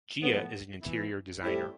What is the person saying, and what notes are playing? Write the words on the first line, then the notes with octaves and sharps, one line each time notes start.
Jia is an interior designer.
A2 F3 B3
E3 B3 E4
A2 G3 C4 E4